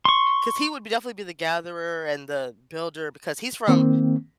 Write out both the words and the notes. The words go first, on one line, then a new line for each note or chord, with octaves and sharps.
'Cause he would b definitely be the gatherer and the builder because he's from,
C6 C#6
D#3 A#3 C4